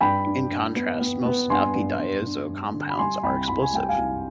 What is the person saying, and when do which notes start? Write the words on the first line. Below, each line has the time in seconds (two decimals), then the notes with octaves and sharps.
In contrast, most alkyldiazo compounds are explosive.
0.01 G2 G5 B5
0.26 D4
0.50 G2
0.75 B3
1.00 B3
1.25 B3
1.49 G2 G#5 C6
1.74 G2
2.00 G2
2.25 D4
2.49 G2
2.74 D3
2.90 B5
2.99 G3 G#5 C6
3.23 C2 G5 B5
3.48 C2 B5
3.62 G#5
3.73 G3 G5
3.89 F5 G#5
3.98 C2